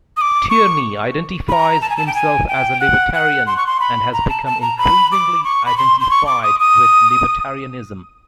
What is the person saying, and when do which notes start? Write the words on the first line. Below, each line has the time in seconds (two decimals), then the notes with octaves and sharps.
Tierney identifies himself as a libertarian and has become increasingly identified with libertarianism.
0.17 D#6
0.21 D6
0.50 C#6
1.48 B5
1.52 A#5
1.82 A5
1.90 G#5
1.97 A5
2.07 G5
2.15 G#5
2.48 G5
2.80 F#5
3.14 F#5
3.47 C6
3.57 C#6
3.67 C6
3.80 B5
4.13 A#5
4.29 A5
4.46 A5
4.62 A#5
4.78 B5
5.12 D6
5.44 C#6
5.66 B5
5.78 C6
6.00 C6
6.11 C#6
6.27 D6
6.43 D#6
6.60 D#6